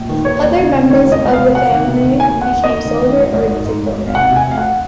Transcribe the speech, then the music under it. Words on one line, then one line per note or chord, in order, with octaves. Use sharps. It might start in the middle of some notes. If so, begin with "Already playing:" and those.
Other members of the family became soldiers or diplomats.
Already playing: A#1
D#3
D#2 C#5
D#2
C#3
C#3
D#3 C#5
C#2
D#5
C#2
C3 F5
C3 F#5
D#3
C3
D#3
D#2 G#5
D#2
F#5
D#2
D#2 D#5
D#3
D#3
G#1
G#1
G#2
G#2
G#1
G#1
F5
C3 F#5
C3
G#5
F1 F5
F#5